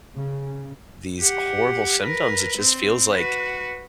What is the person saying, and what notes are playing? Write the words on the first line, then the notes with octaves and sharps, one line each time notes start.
these horrible symptoms, it just feels like,
C#3
G4 F#5
A#4 B4
C4
F#4 B4